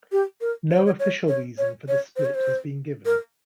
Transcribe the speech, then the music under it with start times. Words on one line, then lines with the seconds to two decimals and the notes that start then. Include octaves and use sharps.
No official reason for the split has been given.
0.12 G4
0.41 A#4
0.71 C#5
0.77 C5
0.86 C#5
0.99 C#5
1.28 C#5
1.58 C#5
1.88 C#5
2.16 C5
2.25 C#5
2.35 C5
3.06 A#4